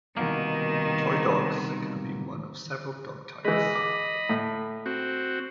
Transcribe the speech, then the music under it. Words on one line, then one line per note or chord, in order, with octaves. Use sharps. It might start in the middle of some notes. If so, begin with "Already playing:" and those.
"Toy dogs" can be one of several dog types.
C2 B2 D#3 A#3
E3 G#3 D#5 B5
D6
A2
C4 F#4